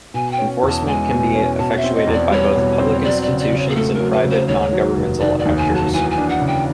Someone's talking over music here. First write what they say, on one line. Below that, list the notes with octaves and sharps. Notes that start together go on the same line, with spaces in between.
Enforcement can be effectuated by both public institutions and private, non-governmental actors.
B2 G#5
G5
C#4
E2
A5
G#3 G#5
B2
C#4
B2 A5
E5
C4
D#5
E2
D5
G3 C#5
B2
C4
F#3 D5
D5
C#3
D5
C#3
C#5
G#4
A3 A4
A#4
F#3
B4
C#3
C5
D#2 C#5
F#3
F1
D#3 D5
D5
D#2
G#5
F#3
A5
E3 G#5
G#5
D4
F#5
C#3
G5